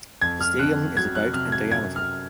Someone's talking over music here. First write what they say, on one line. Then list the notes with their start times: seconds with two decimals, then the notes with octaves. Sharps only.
The stadium is about in diameter.
0.22 F2 G#6
0.41 F6
0.59 F2 F#6
0.96 F#3 G#6
1.15 F#6
1.34 C3 F6
1.52 G#6
1.71 F#2 G#6
1.96 F6